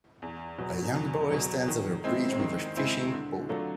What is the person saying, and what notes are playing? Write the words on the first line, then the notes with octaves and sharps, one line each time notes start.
A young boy stands over a bridge with a fishing pole.
E2
B2 F#3
E2
B2 F#3
D#3
G#3 C4 E4
D#3
G#3 C4 E4
D3
F#3 A3 D4 F4